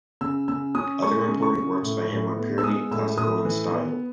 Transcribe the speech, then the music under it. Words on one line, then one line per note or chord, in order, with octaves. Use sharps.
Other important works by him were purely classical in style.
C#3 E6
C#3 E6
C#4 D#6
G#3 C#6
C#3
C#6
C#3
A2
A2
B3
E6
G#3 D#6
A2 E6
A2 D#6
E3
B3